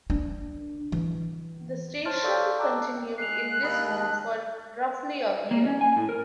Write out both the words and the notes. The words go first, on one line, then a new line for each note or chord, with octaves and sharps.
The station continued in this mode for roughly a year.
D4
E3
C5 C#5 A5 C6 F6 A6
A4 D5 F5 C#6 E6 G6
G5 A5 A#5 D6 E6 F#6
G#3 F#6 C7 F7
D#2 D#5 B5 D#6
A5
A#3
C#4
G#5
A2
A#4